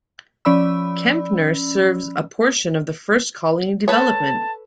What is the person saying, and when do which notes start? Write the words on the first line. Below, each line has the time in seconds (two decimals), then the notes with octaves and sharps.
Kempner serves a portion of the First Colony development.
0.45 F3 C#4 D5 B5 E6
3.88 A4 B4 C#5 A5